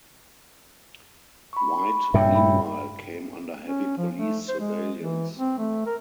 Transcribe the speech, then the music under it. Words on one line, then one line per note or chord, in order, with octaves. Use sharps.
White meanwhile came under heavy police surveillance.
B5 C#6
G2 A#2 C#3 E5 G5
B5
C#4
F3
A3
C5
G#3
E3
C4
A3
A#4